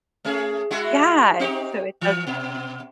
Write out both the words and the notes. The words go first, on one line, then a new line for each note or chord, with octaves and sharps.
Yeah, so it has e
A3 C#4 G#4
G#3 E4 F#4
C4 D#4 G4
E3
B2